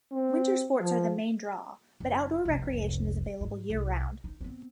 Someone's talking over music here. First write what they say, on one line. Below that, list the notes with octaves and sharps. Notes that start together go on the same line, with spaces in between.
Winter sports are the main draw, but outdoor recreation is available year-round.
C4
F3
F#1
F1 C2
G#2
C2
D#4
B3 C4